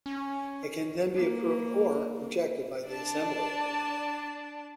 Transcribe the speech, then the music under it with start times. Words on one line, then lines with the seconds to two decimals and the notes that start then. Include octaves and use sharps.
It can then be approved or rejected by the Assembly.
0.06 C#4
1.16 A#3
2.88 D4 D5 A5